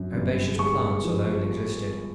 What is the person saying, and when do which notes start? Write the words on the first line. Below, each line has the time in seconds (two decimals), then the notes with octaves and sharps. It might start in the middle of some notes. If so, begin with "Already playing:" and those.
Herbaceous plants alone existed.
Already playing: F#2
0.14 G1
0.59 G#3 C#6
1.05 F3
1.49 G#2